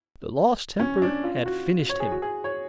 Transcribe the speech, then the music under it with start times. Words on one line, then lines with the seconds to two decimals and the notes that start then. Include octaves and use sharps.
The lost temper had finished him.
0.80 C#4
1.02 D4
1.24 F4
1.46 F#4
1.89 C#5
2.00 G#4
2.11 F#4
2.22 G#4
2.44 C#5